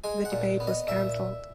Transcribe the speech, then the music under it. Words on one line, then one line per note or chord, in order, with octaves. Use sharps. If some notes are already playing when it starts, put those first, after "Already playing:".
The debate was canceled.
G#3 G#5
F#5
A#2
B3
D#5
A#2 E5